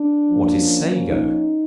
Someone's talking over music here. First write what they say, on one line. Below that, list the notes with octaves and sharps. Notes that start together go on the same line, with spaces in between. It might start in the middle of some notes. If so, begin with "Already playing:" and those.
What is Sago?
Already playing: D4
F3 A#3 C#4
D#4